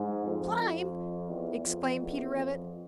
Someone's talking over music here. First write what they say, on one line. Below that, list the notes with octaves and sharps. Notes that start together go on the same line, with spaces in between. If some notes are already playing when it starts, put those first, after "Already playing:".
"Climb!" exclaimed Peter Rabbit.
Already playing: G#2
F2
F2
E2
F2
E2
F2